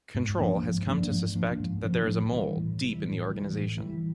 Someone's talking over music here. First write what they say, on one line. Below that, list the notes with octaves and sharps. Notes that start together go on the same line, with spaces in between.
Control has come to suspect that there is a mole deep in the organization.
G#2
F3 A#3 D4
G#2
F3 A#3 D4
G#2
F3 A#3 D4
G#2
F3 A#3 D4
A2
E3 G3
A2
E3 G3
A2
E3 G3
A2
E3 G3